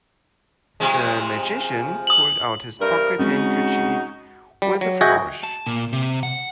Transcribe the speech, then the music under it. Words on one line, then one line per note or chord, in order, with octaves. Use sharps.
The magician pulled out his pocket handkerchief with a flourish.
C3 F3 G#3
D#6 F#7
G2 C3 A#4
C#3 G#3 C4 C#4 D#4 F#4
G3
F#3
F#4 G#4 D#5 E5 F#5 G5
A5
A#2
C3
F#5